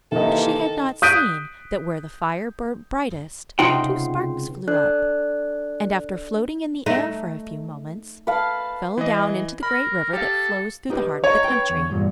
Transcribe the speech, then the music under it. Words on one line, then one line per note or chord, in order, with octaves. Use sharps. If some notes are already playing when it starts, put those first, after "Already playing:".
But she had not seen that where the fire burnt brightest two sparks flew up, and, after floating in the air for a few moments, fell down into the great river that flows through the heart of the country.
C3 D#3 E3 A#3 A4 D#5
D#6 F#6 G6 B6 D7 D#7
C#2 C3 D#4 F4 F#5 G5
D4 A4 D5 F#6
A3 D#4
B4 F5 A5
E3 D#5
A#4 B5
G4 A4 F5
D#4 G4 B4
C#5 D#5 A#5
B4 G5
E2
E2 G2 A#2